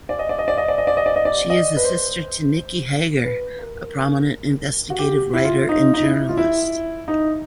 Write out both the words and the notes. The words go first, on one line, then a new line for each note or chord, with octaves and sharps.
She is a sister to Nicky Hager, a prominent investigative writer and journalist.
D5
D#5
D5
D#5
D5
D#5
D5
D#5
D5
D#5
D5
D#5
D5
D#5
B4
C5
B4
A#4
F#4
G4
E4
F4
D#4
D#4
E4
F4
E4
D#4